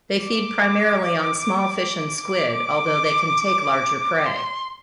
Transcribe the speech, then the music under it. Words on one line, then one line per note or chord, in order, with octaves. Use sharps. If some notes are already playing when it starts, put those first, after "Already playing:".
They feed primarily on small fish and squid, although they can take larger prey.
D6
D6
C6